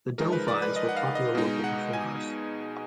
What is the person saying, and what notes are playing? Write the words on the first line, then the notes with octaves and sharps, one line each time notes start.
The Del-Phis were popular local performers.
F3 G#3 D#4 A#4
B4
D5
B4
D#5
F#5
F5
D#5
B2 G#3 D#4
F#5
G#5